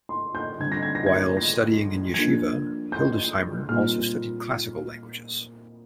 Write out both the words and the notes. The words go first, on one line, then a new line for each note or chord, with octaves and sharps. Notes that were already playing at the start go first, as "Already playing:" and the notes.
While studying in yeshiva Hildesheimer also studied classical languages.
C6
G6
D3 G3 C4 G#6
A#6
G#6
A#6
G#6
A#6
F3 A#3 D4 G#6
G6
A#2 G3 C4 D#4 F6